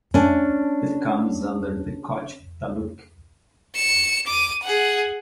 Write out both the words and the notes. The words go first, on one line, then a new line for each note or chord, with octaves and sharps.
It comes under the Kochi taluk.
C#4 D4
C#7 E7
D6 D#7
G#4 F#5